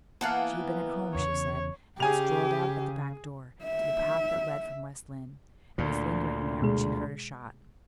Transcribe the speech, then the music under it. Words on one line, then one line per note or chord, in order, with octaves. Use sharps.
'She had been at home,' she said, 'and had strolled out at the back door, to the path that led from West Lynne, and was lingering there when she heard a shot.
E3 A#3 B3 F5 F#5 A5
E2 C#3 C#5
C#3 G4 G#4 G#5 F7
E5
D2 A#2
B2 G#3 G#4